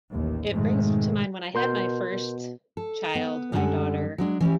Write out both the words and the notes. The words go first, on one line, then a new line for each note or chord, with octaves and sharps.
it brings to mind when I had my first child- my daughter-
A1 D#2
F2 G#2 B2 D#3 G#3 A3
B2 A#4 C6 G6
B2
A4
B3
F#2 D3 G3 G#3 A4 F#5
F#3 G#3 D4
E3 C#4 E4 G4